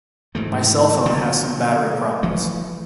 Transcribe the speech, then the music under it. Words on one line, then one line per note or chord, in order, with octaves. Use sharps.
My cellphone has some battery problems.
G#2 E3 A3
B2 D3 F3 F#3
E3 F3 A3